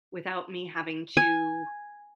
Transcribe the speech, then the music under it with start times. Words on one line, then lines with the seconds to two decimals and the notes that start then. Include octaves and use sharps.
without me having to,
1.17 G#5